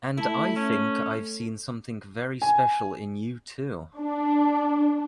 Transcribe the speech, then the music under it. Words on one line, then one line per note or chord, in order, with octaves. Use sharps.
And I think I’ve seen something very special in you too.
A3 E4
C#4
G#5
D4